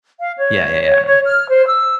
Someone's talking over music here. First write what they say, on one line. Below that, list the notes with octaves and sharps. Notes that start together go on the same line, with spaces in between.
Yeah, yeah, yeah.
F5
C#5
C#5
C#5
F6
C5
E6